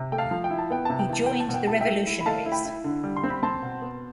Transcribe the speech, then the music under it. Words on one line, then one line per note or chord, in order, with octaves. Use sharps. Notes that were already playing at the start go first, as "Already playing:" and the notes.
He joined the Revolutionaries.
Already playing: C3
A3 G5
F5 A5
F3
G5
E4
A5
B3 G5
C3 A5
G5
E3 A5
B3 G5
A5
B2
G5
E4 A5
E5 G5
A3
E4
B5
A3 F5 A5
E4
G5 B5
E4
D3
G3
C6
C4
B5
C4 A5 C6
B2
B3